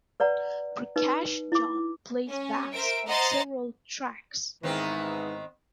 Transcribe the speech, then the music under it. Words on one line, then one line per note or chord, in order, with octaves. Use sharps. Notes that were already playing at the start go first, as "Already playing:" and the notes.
Prakash John plays bass on several tracks.
B4 D5 F#5 A#5
D#4 B4
E4 D6
C#4
A#4 C5 E5 D7
C5 D#5 F#5 A#5 C6 A6
G#2 D#3 E3 B3 C4